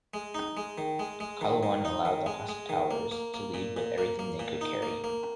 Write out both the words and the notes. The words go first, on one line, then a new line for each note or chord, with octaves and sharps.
Qalawun allowed the Hospitallers to leave with everything they could carry.
G#3
D#4
G#3
D#3
G#3
G#3
D#3
D#3
D#4
D#3
G#3
G#3
D#3
A#3
A#3
A#3
A#2
A#2
A#3
A#3
A#2
D#4
A#3
A#3